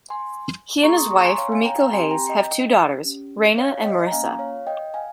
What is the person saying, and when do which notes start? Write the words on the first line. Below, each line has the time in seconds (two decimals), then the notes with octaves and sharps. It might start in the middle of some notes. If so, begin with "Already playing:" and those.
He and his wife, Rumiko Hayes, have two daughters, Reina and Marissa.
0.10 G#5 C6
0.83 A#3 F4 G#4 A#5 C#6
0.97 C6 D#6
1.11 A#5 C#6
1.24 G#5 C6
1.38 C#5 F5
1.52 F5 G#5
1.66 G5 A#5
1.79 G5 A#5
1.93 C4 G4 G#5 C6
2.11 G5 A#5
2.29 D#5 G5
3.03 C#4 G4
3.57 C#5 F5
3.84 D#5 G5
4.07 A#5
4.12 A#3 C#4 F4 F5 G#5
4.39 C#5 F5
4.67 D#5 G5
4.94 F5 G#5